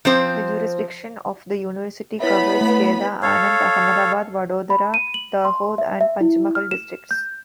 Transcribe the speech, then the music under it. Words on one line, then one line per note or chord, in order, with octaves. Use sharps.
The jurisdiction of the university covers Kheda, Anand, Ahmedabad, Vadodara, Dahod and Panchmahal districts.
F3 C4 C5
B3 E4 C#5 E5 B5
A3
A4 C#5 F5
B5
D#7
F#7
C6
E5
E5
E4
F6
E7
G6